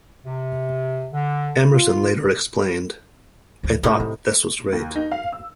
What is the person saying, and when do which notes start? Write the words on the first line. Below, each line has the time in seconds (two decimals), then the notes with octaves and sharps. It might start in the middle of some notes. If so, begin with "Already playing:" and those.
Emerson later explained, I thought this was great.
0.24 C3
1.12 D3
1.72 F4
3.63 D2 F3
3.83 A2 C3 C#4 D#4
4.00 C4
4.73 D#2
4.96 D#4
5.11 F5
5.32 E6